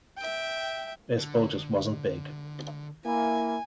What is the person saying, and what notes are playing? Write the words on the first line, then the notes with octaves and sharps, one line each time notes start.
Baseball just wasn't big.
E5 G5
D3
A#3 E4 G#5